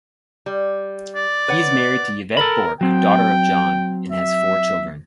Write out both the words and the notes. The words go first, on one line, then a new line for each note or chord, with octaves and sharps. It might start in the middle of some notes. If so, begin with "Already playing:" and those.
He is married to Yvette Bourque, daughter of John, and has four children.
G3
D5
B4 C#5 F#5
A4 A#4 B5
F#3 C4 G5
E5